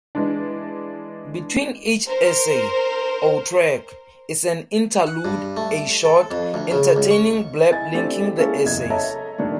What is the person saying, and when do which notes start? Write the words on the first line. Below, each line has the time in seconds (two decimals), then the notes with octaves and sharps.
Between each essay, or track, is an "interlude"-a short, entertaining blurb linking the essays.
0.15 E3 G#3 D4
2.07 A#4 C5
5.07 F#5
5.25 G2
5.57 A3
6.05 A4
6.31 F2
6.54 D2
6.71 C#3
6.96 C#2
7.11 C#6
7.71 E4 D#5 G#5 A6
7.94 A3 C4 D4 E4 G4 A4
8.38 G#3 A#3 C#4 E4 A4
8.65 F#1 E2 D#5 G#6
8.90 A4 C#5 D#5 E5 A5 A#5
9.38 A#2 D#3 G3 A3 D4